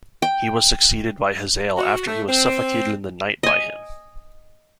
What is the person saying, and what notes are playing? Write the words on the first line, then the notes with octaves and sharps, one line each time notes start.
He was succeeded by Hazael after he was suffocated in the night by him.
G5
F#4
A3
C4
D#5 G#5